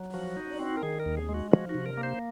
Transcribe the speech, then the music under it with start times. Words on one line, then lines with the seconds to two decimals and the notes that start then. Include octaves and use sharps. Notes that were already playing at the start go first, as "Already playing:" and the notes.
Pant mostly wrote in Sanskritized Hindi.
Already playing: F#3
0.14 F3 F#4
0.37 D#4
0.59 C4
0.77 A#4
0.83 D#3 G#4
1.00 A#4
1.06 D#2
1.17 G#4
1.29 G#3
1.34 F#4
1.51 F3 F#4
1.69 F#4
1.74 C3
1.86 A#4
1.98 A#3
2.03 C5